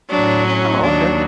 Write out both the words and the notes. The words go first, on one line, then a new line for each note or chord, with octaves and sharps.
Oh, okay.
A2 F#3 D4
C#4
D#2 D#3 F#3 D4